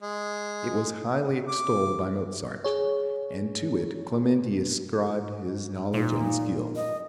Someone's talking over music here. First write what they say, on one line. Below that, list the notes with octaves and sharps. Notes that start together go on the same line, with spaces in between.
It was highly extolled by Mozart, and to it Clementi ascribed his knowledge and skill.
G#3
D6
G#4 C#5
A#2 D#4
D#5